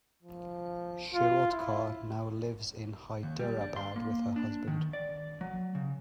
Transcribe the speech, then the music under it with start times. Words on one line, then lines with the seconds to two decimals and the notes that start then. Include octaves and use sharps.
Shirodkar now lives in Hyderabad with her husband.
0.23 F3
1.14 F4
1.52 E4
3.23 D#2
3.39 G3
3.61 D4
3.76 C6
3.96 A#3
4.36 D4
4.68 D#3
4.93 D5
5.41 F#3
5.75 C#3